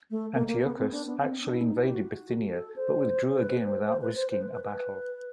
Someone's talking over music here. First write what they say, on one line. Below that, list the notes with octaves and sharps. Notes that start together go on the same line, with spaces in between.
Antiochus actually invaded Bithynia but withdrew again without risking a battle.
A3
A#3
A#3
B3
C4
D4
B3
C4
D4
E4
D#4
E4
G4
F#4
A4
C5
C5
B4
C5
C5
B4
C5
C5
B4
B4
B4